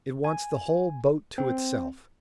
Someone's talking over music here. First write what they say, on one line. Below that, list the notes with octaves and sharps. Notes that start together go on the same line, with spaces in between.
It wants the whole boat to itself.
G#5
C4